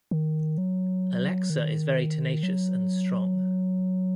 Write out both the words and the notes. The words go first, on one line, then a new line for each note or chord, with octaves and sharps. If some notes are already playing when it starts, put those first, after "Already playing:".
Alexa is very tenacious and strong.
D#3
F#3
D#3
F#3